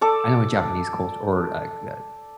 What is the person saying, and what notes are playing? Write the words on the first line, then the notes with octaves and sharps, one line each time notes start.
I know in Japanese culture or, like, uh
A4 D5